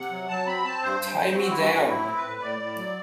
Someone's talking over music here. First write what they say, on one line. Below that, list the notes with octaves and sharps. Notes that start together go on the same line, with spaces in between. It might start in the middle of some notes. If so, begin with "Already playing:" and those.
Tie Me Down!
Already playing: C3 F#5
F#3
F#3 A5
C4 B5
C4 A5
G2 C5
G2
G2
C4 F#4
G2 E4
F#4
G2
A2 E4
C4
B4
A2
A2 D5
A2
F#3